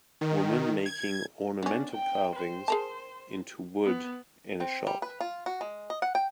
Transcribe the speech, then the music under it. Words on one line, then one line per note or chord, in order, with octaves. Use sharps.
Woman making ornamental carvings into wood in a shop.
D#3
G#6
B3 C#4 D4
G5
C5
G#4 A#4 A5
B3
C4
G3
B4
F4
F#4
G#3
D#5
F#5
G5